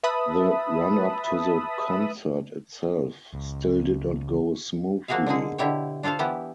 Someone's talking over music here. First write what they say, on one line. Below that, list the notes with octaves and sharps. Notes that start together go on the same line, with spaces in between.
The run-up to the concert itself still did not go smoothly.
B4 E5 A5 B5 D#6
C#2
F3 A#3 F#4 G#4 E5 F5
D3 G#3 D#4 G#4
B2 D3 E4 G4 C#5
D4 F4 A4 C5 F5
E3 B3 E4 G4